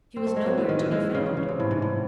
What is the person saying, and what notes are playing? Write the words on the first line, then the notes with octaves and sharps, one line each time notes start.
She was nowhere to be found.
C4
A3
G#3
F#3
E3
D#3
E3
E3 G#3
E3
C#3
C#3
C#3
C3
A2
G#2
A2